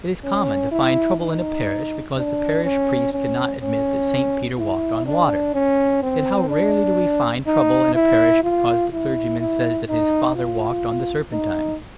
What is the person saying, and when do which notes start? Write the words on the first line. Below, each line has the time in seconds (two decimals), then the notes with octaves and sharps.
It is common to find trouble in a parish because the parish priest cannot admit that St. Peter walked on water; yet how rarely do we find trouble in a parish because the clergyman says that his father walked on the Serpentine?
0.25 C#4
0.72 E4
1.20 D#4
2.17 D4
2.65 C#4
3.13 C#4
3.61 C#4
4.58 E4
5.07 D4
5.55 C#4
6.03 C4
6.50 D4
7.47 D#4
7.95 E4
8.43 F4
8.92 E4
9.40 E4
9.89 D#4
10.36 F4
11.33 D#4